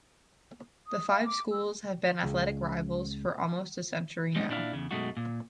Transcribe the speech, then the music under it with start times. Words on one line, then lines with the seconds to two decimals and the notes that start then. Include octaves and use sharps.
The five schools have been athletic rivals for almost a century now.
0.87 D#6
1.10 F5
1.25 D6
1.52 E6
2.23 C#2
4.36 G3 G#3 C4 C#4 D#4 D#5
4.50 A#2 D4 E4 B4 F5
4.73 E2 C#3
4.91 F#2 B2 G#3 A3 D#4 F#4
5.17 A#2